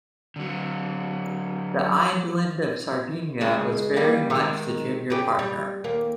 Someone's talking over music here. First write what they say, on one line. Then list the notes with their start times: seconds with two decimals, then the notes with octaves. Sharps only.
The island of Sardinia was very much the junior partner.
0.36 D3 F#3
3.41 C#3 G#3
3.96 G3 A#3
4.30 D#3 G#3
5.10 C#3 G4
5.39 G3
5.84 D#2 A#3